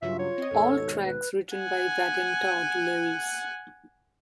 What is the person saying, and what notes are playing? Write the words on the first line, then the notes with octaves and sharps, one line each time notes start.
All tracks written by Vaden Todd Lewis.
G2 C#3 F#3 F4 E5
C#5
C4 D#5
D#2 G#2 B2 A4
B4
F#5 G#5